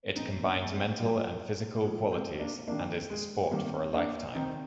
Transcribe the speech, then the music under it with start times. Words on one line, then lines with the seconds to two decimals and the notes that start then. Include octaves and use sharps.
It combines mental and physical qualities and is the sport for a lifetime.
0.15 A#2 F3 C4 D#4
0.38 C4
0.44 A#3 D4
0.71 G#3 C4
0.99 A#2 F3 G3 A#3
1.83 A#2 F3 G#3
2.12 G#3 C4
2.40 A#3 D4
2.67 C3 D#3 A#3 D4
3.10 G#3
3.51 C3 D#3 G3 A#3
3.94 A#3 D4
4.35 C3 D#3 C4 D#4